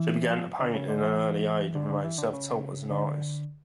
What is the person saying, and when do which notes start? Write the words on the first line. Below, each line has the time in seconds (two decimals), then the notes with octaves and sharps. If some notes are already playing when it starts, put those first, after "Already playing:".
She began to paint in an early age and remained self-taught as an artist.
Already playing: E3
0.31 F3
0.59 D3
0.74 C#3
0.88 D3
1.03 E3
1.75 D3
1.90 D3
2.04 E3
2.18 D3
2.33 C#3
2.91 D3